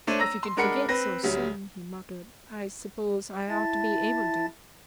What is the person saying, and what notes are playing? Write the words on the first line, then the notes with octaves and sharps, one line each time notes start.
"If you can forget--so soon," he muttered, "I suppose I ought to be able to."
A3 D4 C5 C#5 D#7
A#5 E6 A#6
C6
G#3 D4 A#4 F#5 B5 C#7
C4 B4 A#6
D2 F#3 G3
E4 E5 A5 A6